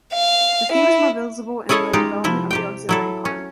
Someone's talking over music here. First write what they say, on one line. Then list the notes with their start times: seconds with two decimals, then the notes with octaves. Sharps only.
This theme is more visible in the development of the auxiliary part.
0.13 F5
0.70 E4
1.69 C#4 E4 G#4 A4 C#5 D#5
1.93 G#3 D#4 F4 G4
2.24 C3 F3 E4
2.51 C3 G4 G5
2.89 F#3 E4 A4
3.25 C#4